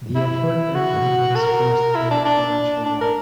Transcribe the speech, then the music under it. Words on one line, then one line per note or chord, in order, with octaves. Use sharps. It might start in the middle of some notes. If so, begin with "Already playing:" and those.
The effort earned him his first Man of the Match award.
E4
F#4
A#4
E4
D4
D4
D4
A#4